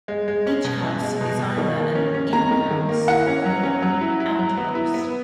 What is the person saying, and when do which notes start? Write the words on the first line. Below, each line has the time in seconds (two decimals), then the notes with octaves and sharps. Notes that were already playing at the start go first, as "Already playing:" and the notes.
Each house is either an 'in-house' or an 'out-house'.
0.08 G#3
0.28 G#3
0.47 C#4
0.65 B2
0.84 B2
1.03 G#3
1.21 B2
1.39 B2
1.58 D#3
1.77 A#3
1.95 C#4
2.15 C#4
2.32 D#3 A#5
2.51 D#3
2.71 D#3
2.89 A#3
3.08 E4 F#5
3.27 C#4
3.45 F#3
3.63 C#4
3.82 F#3
4.01 E4
4.20 E4
4.39 F#3
4.58 B3
4.75 E4
4.94 B3